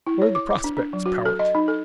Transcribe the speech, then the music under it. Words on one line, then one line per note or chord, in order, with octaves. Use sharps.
"What are the prospects, Powart?"
E4
C#5
D6
D6
D4
D4
F#3
F#4
A4
D#5
D#4
A4